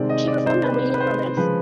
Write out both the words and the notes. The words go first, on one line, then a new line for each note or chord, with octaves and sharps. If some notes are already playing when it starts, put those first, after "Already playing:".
She performed on radio programs.
Already playing: C3 D#3 G#3 C4 D5
D#5
D5
C5
B4
B4
C5
C#3 F3 G#3 B4